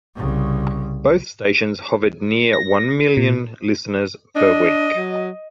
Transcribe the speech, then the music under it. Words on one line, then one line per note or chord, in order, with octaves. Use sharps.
Both stations hovered near one million listeners per week.
C2 C#3
A#6
A#2
D4 D#5
F#3